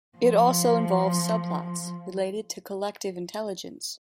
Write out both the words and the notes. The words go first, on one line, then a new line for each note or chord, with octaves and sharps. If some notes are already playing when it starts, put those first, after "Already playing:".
It also involves subplots related to collective intelligence.
F3